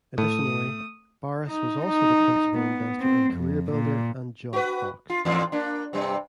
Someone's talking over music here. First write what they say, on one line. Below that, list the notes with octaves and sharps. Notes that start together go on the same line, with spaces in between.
Additionally, Barris was also the principal investor in CareerBuilder and JobFox.
A2 A3 D#6
D#4
D#4
B3
C4
F2
A#2
F#4 B4
F4
E2 A2 F4
A#3 D4
G2 C3 G3